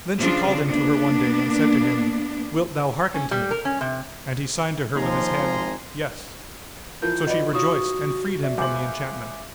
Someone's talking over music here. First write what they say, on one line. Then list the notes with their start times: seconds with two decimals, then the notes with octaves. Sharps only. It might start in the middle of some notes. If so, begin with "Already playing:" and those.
Then she called him to her one day and said to him, "Wilt thou hearken to me?" And he signed to her with his head, "Yes." So she rejoiced and freed him from the enchantment.
0.18 C#3 F3 C4 D4 F4
0.69 A#3 B3 D4
3.14 C#4
3.31 G3
3.51 A#4
3.65 C#4
3.81 C3
4.95 D#2 F3 G#5 A#5 C6
5.37 G#1
7.02 E3 F3 F4 A#4 G6
7.27 F#4 B4 D5 D#5
7.53 D#4 F4 F#4 C#5 C#6 D#6
8.43 D5 E5
8.58 C#2 C5 E5 G#5 D6 F#7